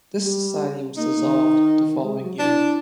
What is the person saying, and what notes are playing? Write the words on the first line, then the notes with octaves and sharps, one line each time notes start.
This society was dissolved the following year.
G3
A#3 D#4
D#3
G#3
F#3
D4 E4